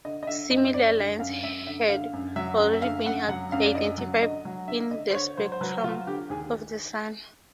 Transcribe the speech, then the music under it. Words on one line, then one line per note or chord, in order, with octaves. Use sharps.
Similar lines had already been identified in the spectrum of the Sun.
D3 D#5
D#5
D3 E5
F#2 D#5
D#5
F#2 D5
D3
F#2 F5
F#2 E5
D3 E5
D3 F5
F#2
F#3 E5
F#2
E5
D3 F5
F#2 F#5
F#3 F#5
F#2 F5
D5
D3 D#5
F#3
D3 D#5
F#3
D3 E5
D3 D#5
C5
D3 C#5
F#3 C5
C5
F#3 B4
F#3 F4
D3 G4
D#2 G#4